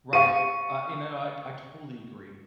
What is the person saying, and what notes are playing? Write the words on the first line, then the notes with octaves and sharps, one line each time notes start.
Right. Uh, you know, I I totally agree.
G4 F5 C#6 D#7